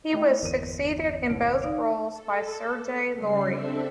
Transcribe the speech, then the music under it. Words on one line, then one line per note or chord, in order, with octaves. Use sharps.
He was succeeded in both roles by Serge Lourie.
A3 E4 D#5 G5
G1 E2 A#4 D#7
C2 C#5 D7
D#4 D5 F5
A4
C#3 G3 C7
C4 D4 A4 E5